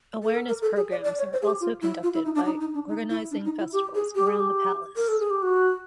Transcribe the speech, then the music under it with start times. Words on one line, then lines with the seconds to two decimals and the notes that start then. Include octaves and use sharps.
Awareness programs are also conducted by organizing festivals around the palace.
0.23 A4
0.35 A#4
0.48 A#4
0.62 A4
0.76 G#4
0.91 D5
1.04 D5
1.19 C#5
1.33 C5
1.42 G#4
1.47 G4
1.61 F4
1.82 E4
2.03 F4
2.14 E4
2.25 D#4
2.35 D4
2.45 D#4
2.60 D#4
2.74 D4
2.89 D#4
3.10 E4
3.31 D4
3.45 D#4
3.59 E4
3.73 G4
3.95 G#4
4.15 G4
4.27 G#4
4.39 G4
4.96 A#4
5.08 A4
5.20 G#4
5.30 G4
5.42 F#4